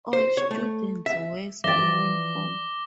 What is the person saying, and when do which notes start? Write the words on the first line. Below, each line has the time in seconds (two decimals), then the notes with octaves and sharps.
All students wear school uniform.
0.13 C5
0.37 C#5
0.51 A3
1.06 E5
1.64 E3 F3 D5 E5 G5 D6 A#6 G7